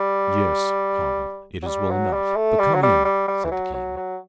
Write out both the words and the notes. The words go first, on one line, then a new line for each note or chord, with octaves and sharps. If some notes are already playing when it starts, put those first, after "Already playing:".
"Yes, Conall, it is well enough, but come in," said the king.
Already playing: G3
F#3
G3
F#3
G3
A3
G3
F#3
G3
G3
G3
E3
F#3
F#3
F#3